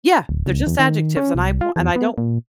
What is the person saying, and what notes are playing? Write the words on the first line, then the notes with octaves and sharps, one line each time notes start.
Yeah. They're just adjectives, and I wa and I don't
D1
C#2
E2
D#3
C#4
C2
F4
E2
B3
A#2